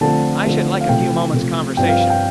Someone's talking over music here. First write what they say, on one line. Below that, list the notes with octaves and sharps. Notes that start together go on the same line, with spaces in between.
"I should like a few moments' conversation."
D3 F3 A3 C4 A5
D3 F3 A3 C4
F5
C3 F3 A3 G5
C3 F3 A3
G2 F3 C4 G5
F5
F5
G5